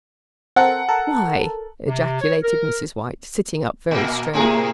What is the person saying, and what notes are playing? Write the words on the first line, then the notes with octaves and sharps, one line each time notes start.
"Why!" ejaculated Mrs. White, sitting up very straight.
C4 A4 A#4 F#5
A4 A#4 A5
C3
C#5
A#4
A#2 A#3
A2 C3 A#3 G#4